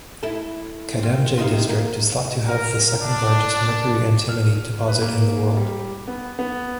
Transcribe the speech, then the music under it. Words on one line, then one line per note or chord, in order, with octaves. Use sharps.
Kadamjay district is thought to have the second largest mercury-antimony deposit in the world.
E4 A4
C4 F4
C3 D#4 F4
A#3
A#4
D4
F6
B4
A#3
G3
B3
B3